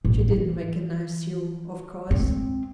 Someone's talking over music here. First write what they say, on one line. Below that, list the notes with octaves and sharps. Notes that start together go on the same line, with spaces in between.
"She didn't recognize you, of course?"
A1
E3
G#3 C4